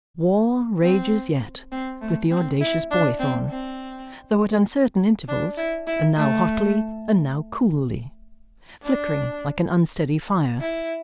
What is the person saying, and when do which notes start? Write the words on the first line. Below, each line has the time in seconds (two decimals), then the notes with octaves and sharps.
War rages yet with the audacious Boythorn, though at uncertain intervals, and now hotly, and now coolly, flickering like an unsteady fire.
0.82 C4
1.72 C4
2.01 A3
2.31 C4
2.60 E4
2.91 D4
3.19 C4
3.49 C4
5.28 D4
5.57 E4
5.87 E4
6.16 A3
8.83 D4
10.61 E4